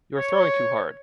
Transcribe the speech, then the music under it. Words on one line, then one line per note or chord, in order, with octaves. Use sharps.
You are throwing too hard!
C#5